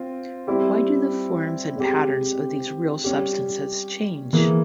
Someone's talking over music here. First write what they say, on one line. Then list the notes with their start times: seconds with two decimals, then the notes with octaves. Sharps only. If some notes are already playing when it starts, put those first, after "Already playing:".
Why do the forms and patterns of these real substances change?
Already playing: C4 F4
0.47 G3 C4 E4 G4
1.76 G#3 C4 G4
3.04 G3 C#4 G4
4.33 E3 A#3 E4 G#4